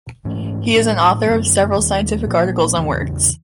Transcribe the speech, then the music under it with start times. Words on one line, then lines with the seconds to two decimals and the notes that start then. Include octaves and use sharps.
He is an author of several scientific articles and works.
0.25 G#2 E3 A3 C#4
0.75 A2 F3 A#3 D4
1.26 F#2 D3 F#3 B3
1.77 D#2 D#3 G3
2.27 A#2 F3 A#3
2.77 E2 C#3 E3